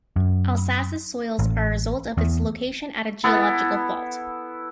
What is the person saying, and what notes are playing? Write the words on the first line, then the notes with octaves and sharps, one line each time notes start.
Alsace's soils are a result of its location at a geological fault.
F#2
A1
E2
B3 E4 A4